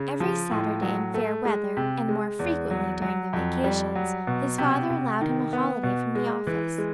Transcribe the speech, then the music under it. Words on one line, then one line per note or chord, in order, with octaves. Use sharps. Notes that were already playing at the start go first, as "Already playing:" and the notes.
Every Saturday in fair weather, and more frequently during the vacations, his father allowed him a holiday from the office.
Already playing: C#3
F3
A2
F#3
A3
G#3
C3
G#3
E2
F#3
F#3
F2
G3
F#3
B2
C3
C3
D#3
B3
B2
G#3
E3
G#3